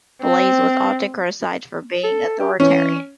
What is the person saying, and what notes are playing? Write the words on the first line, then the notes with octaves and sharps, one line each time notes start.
Blaize was often criticized for being authoritarian.
C4
A4
G4
E3 C#4